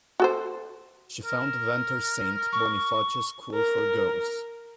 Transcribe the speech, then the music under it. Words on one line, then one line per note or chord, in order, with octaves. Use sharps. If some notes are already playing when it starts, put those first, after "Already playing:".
She founded Ventnor Saint Boniface School for girls.
F#4 A4 C5
A#4
C#6
A#4